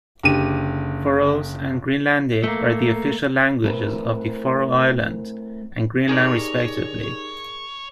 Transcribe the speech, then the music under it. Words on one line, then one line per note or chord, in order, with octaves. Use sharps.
Faroese and Greenlandic are the official languages of the Faroe Islands and Greenland respectively.
F#1 D3 G4 D#7
A3 A#3
A3 C4 E4 A#4 B4
D#4 G4 G#4 A#4 C#5 D5